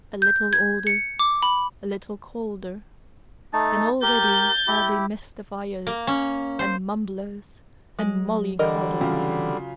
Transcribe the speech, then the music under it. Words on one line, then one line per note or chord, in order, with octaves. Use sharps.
A little older, a little colder: and already are they mystifiers, and mumblers and mollycoddles.
G6
G#6
C#7
D6
B5
A3 D#4 A5
G4 A#4 G6 A6
E4 G4
A#3
C#4
C5
F#3 G#3
D3 E3 G3 A#4 D#5
C#3 F#3 C4 F4